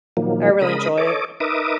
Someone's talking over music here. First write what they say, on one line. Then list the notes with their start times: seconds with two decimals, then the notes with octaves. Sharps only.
I really enjoy it.
0.17 A#2 D#3 F3 F#3 A#3
0.61 C#3 G#3 A#4 B5 D#6
0.97 A4 C#5 D#5 D6
1.40 D#4 A#4 B4 E5 D6 D#6